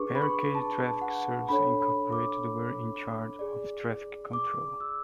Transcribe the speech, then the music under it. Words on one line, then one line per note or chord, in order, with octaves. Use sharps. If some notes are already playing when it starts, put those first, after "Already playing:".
Barricade Traffic Services Incorporated were in charge of traffic control.
Already playing: D4 G#4 B4 C#6 D6
B5
C#6
A5
A5
F#5
D4 A4 C#5 B5
B5
D6
G#4 D5
D6
E6